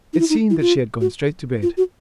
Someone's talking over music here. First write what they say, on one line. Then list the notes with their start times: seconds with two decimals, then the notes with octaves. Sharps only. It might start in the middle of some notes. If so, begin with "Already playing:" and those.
It seemed that she had gone straight to bed.
0.13 D#4
0.19 E4
0.30 D#4
0.50 E4
0.61 F4
1.01 F#4
1.62 F4
1.77 F#4